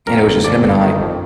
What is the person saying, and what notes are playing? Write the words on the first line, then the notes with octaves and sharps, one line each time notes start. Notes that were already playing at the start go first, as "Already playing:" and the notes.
and it was just him and I,
F2 A#4
G1
F2 D5
G1
D#3
F2